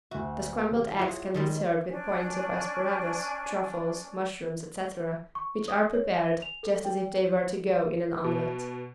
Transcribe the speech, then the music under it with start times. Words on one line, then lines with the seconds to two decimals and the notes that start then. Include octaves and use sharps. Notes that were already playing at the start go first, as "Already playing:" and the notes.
The scrambled eggs can be served with points of asparagus, truffles, mushrooms, etc. which are prepared just as if they were to go in an omelet.
0.11 D2 F#4 E5
0.71 D#1 G4
0.99 F#3 E4 F4 G#4 E5
1.34 D#3 G3 G#3
1.89 C#4 D4 G#5
5.35 C#6
5.68 D#6
5.93 C#5
6.16 G#5
6.42 F7
6.63 A4
6.85 G5
8.24 B2